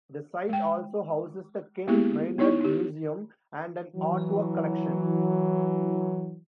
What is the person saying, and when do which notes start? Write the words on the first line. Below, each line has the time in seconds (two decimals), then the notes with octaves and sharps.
The site also houses the Ken Maynard Museum and an artwork collection.
0.49 G#3 G5
1.87 G#3 A#3 B3 E4 G4 G#4
2.38 B3 D#4 E4 C#5 C#6
2.61 D#4 G4
3.95 E3 F#3